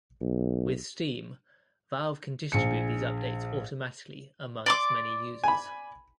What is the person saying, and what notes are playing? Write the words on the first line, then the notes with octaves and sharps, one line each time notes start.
With Steam, Valve can distribute these updates automatically among its many users.
B1
A#1 G#4 C#7
D5 C6 D6
G#5 B5